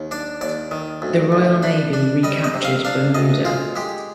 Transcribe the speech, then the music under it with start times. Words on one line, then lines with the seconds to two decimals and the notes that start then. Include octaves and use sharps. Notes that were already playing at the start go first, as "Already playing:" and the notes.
The Royal Navy recaptured "Bermuda".
Already playing: D#2
0.11 D4 D5
0.41 D#2 D5
0.71 D#3
1.02 D2
1.32 D2
1.63 D4
1.93 D4
2.23 G3 D#5
2.44 D#5
2.54 C3
2.64 F5
2.85 D4 F5
3.15 D2 D#5
3.45 G#3 F4
3.75 G#3 G4